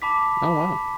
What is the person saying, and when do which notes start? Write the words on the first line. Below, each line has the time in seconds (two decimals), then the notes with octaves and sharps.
Oh wow.
0.02 A5 B5 D6 B6